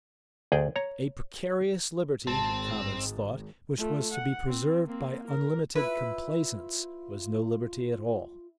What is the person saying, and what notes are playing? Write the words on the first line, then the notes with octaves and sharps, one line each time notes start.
A precarious liberty, the commons thought, which was to be preserved by unlimited complaisance, was no liberty at all.
D2 G#4 D5 G5
C#5 A#5
G#1 C4 A5
A3 F4
F#5
C4
A#3 C4
A#4
E4 F4 B4